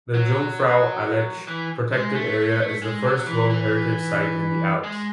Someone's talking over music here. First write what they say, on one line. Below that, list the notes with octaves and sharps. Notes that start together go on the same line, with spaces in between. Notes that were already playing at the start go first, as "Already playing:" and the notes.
The Jungfrau-Aletsch Protected Area is the first World Heritage Site in the Alps.
F#3
E3
G#3
A3
G#3
F#3
E3
E3
G#3